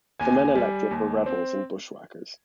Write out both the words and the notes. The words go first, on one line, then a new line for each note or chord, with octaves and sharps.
The men elected were rebels and bushwhackers.
D#2 G#5
G3
D#2
C4